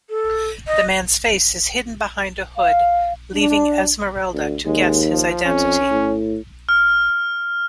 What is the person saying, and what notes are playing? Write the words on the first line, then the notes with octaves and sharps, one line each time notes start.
The man's face is hidden behind a hood, leaving Esmeralda to guess his identity.
A4
D#5
F5
D4
D2
D#2 G#3
F3
F2 C#4
A2
F6